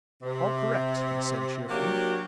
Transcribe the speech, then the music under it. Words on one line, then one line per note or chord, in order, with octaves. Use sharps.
"All correct," I said cheerfully.
C3
F#3 A#3 D4 F#4 G4